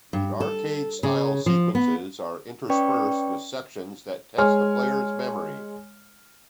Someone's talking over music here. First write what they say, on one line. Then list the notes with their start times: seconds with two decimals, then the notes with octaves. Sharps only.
The arcade-style sequences are interspersed with sections that test the player's memory.
0.13 G2
0.40 A4
1.03 C#3
1.46 F3
1.75 B3
2.70 C#4 B4 D5 G5 C#6
4.38 G#3 C#5 G#5 C6 F6